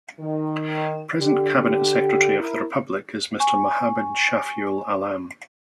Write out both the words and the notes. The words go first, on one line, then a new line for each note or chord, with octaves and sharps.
Present Cabinet Secretary of the Republic is Mr. Mohammad Shafiul Alam.
D#3
D3 G4
E4 A#4
G#5 C#6